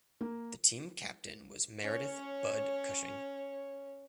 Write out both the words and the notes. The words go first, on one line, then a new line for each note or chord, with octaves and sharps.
The team captain was Meredith "Bud" Cushing.
A#3
C#4 C#5